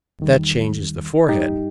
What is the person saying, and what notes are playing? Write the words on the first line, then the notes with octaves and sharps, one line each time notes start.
That changes the forehead.
E2 D#3 G3
G2 G3 D#4 G4